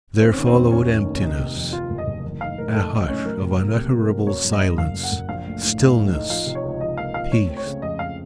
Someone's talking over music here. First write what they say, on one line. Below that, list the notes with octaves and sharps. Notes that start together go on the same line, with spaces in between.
There followed emptiness--a hush of unutterable silence, stillness, peace.
D#2 C4
D#2 C#4
C4
F1
F1 C#4
F1
D#2
C#4
C3 D#4
C3
F2
F2 F4
F#1
D#5
F#1
A1
D#4 F5
A2 A#4
A3 A4
D#4
A3 C#4
F#3 A#4
C3
A#3
C3
A#3
F#3
F#2 C#5
F#2
D#5
F#2
F#1 F5
F#2
F#5
F#1
A#1 F5
A3
A2
D#4
A3
D#4
F3 F5
C3
C#5
C#2
F3 D#5
A#3 F5
C#2 F5
A3 C#5
C4
C#5
C#3
F2 D#5
F2 F5